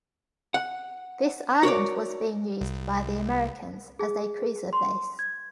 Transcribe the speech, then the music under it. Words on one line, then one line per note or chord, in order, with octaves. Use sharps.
This island was being used by the Americans as a cruiser base.
F#5
F#4 A#4 C#5 D5
C2
G#4
C6
G#6